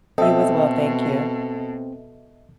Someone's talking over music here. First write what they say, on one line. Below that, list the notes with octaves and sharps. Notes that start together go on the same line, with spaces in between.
You as well, thank you.
B2 C4 A4 D#5 E5